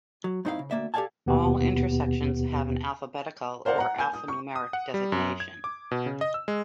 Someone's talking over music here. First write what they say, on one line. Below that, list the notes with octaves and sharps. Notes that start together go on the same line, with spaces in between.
All intersections have an alphabetical or alphanumeric designation.
F#3
G2 C4 D#4 E4 G#4 F5
C#3
D2 B2 A#3 D5 E5
G4 A4 D5 F5 G#5 A5
D#2 B2 B3 G4
A#4 C5 D5 F5 F#5
F#5 A#5
G#5 G6
D#6
C#6
D#6
F#5
G3
F#2
G#6
D6
B2
C#3
D#5
E6
G#3